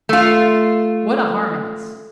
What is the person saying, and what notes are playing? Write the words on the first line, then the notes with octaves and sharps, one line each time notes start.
What a harmonist!
A3 F4